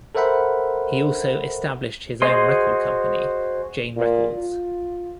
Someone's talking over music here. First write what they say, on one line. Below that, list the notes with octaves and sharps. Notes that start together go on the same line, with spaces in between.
He also established his own record company, Jane Records.
A4 A#4 C5 E5 F#5 B5
F#4 G#4 C5 D#5 C6
A#2
F4